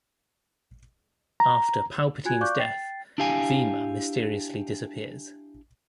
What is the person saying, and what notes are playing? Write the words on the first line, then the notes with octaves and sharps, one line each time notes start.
After Palpatine's death, Vima mysteriously disappears.
A#5
F4 F#4 G#5 F#6 G#6
D5 F5 C#6 D6 F#6 G6
G5 A6 C7
D4 E4 G4 F5 G#5